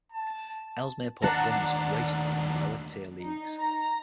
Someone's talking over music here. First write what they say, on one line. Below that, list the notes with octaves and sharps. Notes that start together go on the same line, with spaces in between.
Ellesmere Port Gunners raced in the lower tier Leagues.
A5
D#2 D4 F#5 A5 A#5
D#4
A#5